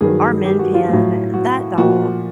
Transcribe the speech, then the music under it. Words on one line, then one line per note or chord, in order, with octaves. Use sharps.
our Min Pin, that dog,
G2 D#3 F#3 G#4
G4
F#4
F4
A2 F#3
F#4
A#2 F3 F#4